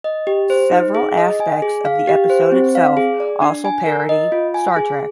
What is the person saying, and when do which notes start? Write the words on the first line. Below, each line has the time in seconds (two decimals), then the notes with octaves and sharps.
Several aspects of the episode itself also parody "Star Trek".
0.04 D#5
0.27 G4
0.50 C5
0.72 D#4
0.95 G#4
1.17 D#5
1.40 G#5
1.62 G#4
1.85 F5
2.07 G4
2.30 C5
2.52 C4
2.75 F5
2.97 G#4
3.20 D5
3.42 D4
3.65 G#5
3.86 A#4
4.09 D#5
4.32 F4
4.54 G#5
4.76 G#4